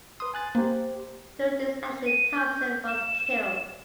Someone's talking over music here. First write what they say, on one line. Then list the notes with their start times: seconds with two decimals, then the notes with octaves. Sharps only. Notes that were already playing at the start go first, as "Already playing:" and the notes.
During this action Thomson was killed.
0.20 B4 C6 D#6
0.34 G#5 F#6 A6
0.55 A#3 G4 C5
2.06 D#7
2.37 G6
2.87 E7